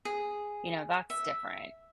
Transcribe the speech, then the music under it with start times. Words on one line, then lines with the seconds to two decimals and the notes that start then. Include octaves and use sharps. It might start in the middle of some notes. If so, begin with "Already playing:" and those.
You know, that's different.
0.05 G#4
1.10 E5